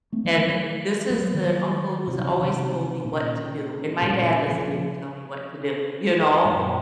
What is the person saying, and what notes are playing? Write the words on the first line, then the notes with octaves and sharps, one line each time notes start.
And this is the uncle who's always told me what to do, and my dad doesn't even tell me what to do. You know?
A3 C4
F3 A3
D#3 F#3
F#3 A#3
D#3 F#3
C3 D#3
C#3 F3
C3 D#3
A#2 C#3
A#2 C#3
C#3 F3
F#2 A#2